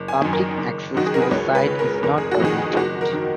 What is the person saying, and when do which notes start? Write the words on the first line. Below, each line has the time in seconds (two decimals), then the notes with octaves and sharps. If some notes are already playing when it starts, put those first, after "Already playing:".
Public access to the site is not permitted.
Already playing: F#1
0.08 G#5
0.21 F#2 D#3
0.33 A#4
0.57 F#1
0.94 F#2 D#3 F#4
1.06 G#4
1.14 A#4
1.22 B4
1.31 C#2 C#5
1.55 B4
1.67 C#3
1.79 A#4
2.03 F1 A#4
2.18 G#4
2.31 F#4
2.40 F2 D#3 G#4
2.76 F#1 F#4
3.01 A#4
3.13 D#3